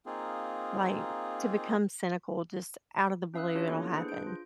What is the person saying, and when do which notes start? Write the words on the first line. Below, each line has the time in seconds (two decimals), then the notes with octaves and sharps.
like, to become cynical just out of the blue, it'll happen,
0.06 A#3 C4 D#4 F4 G#4
3.34 C#4 E5 F5 D#6 E6 F#6
3.55 C#4 D4 F4 G4 C#5
3.68 A#3 B3 E4 A4 B4
3.94 D4 G#4 B4 C5
4.08 G6 D7
4.27 F4